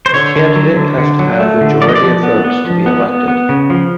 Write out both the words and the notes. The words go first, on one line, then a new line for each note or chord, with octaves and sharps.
A candidate has to have majority of votes to be elected.
C5
D3 C#5
D3
F#3
D3
D3
F#3
A3
D3
F3 D5
D#5
D5
F3
B3
B3
F3
B3
B3
B3
C#3
F3